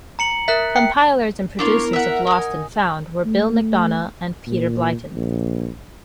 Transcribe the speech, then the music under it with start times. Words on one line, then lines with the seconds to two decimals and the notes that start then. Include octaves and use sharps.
Compilers and producers of "Lost and Found" were Bill McDonough and Peter Blyton.
0.19 A#5 C#7 F#7
0.48 A#4 E5 F#6 B6
0.76 G5 C#7
1.59 B3 D4 E4 F4 A#4 C#5
1.93 E5 F#5
2.27 D#4 F#5 G#5
3.26 A3
4.47 A#2
5.15 A#1